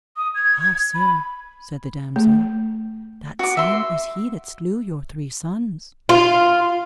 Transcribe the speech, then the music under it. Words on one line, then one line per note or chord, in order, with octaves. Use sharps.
Ah sir, said the damosel, that same is he that slew your three sons.
D#6
G#6
B5
A3
F#4 D6
E5 C6
F4